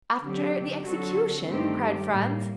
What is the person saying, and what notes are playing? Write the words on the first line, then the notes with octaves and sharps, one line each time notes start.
"After the execution?" cried Franz.
D3 F#3 C4 G4
D3 F#3 C4 F#4 A4
G2 D#3 A3 C4 G4
A2 G3 A#3